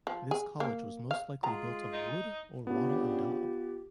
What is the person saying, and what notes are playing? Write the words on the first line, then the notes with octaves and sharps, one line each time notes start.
This college was most likely built of wood or wattle and daub.
F3
G#4
A#3
F5
G#3 F4 F#4 G#4 A#5
D#4
C#3 B3 D4 F4 G4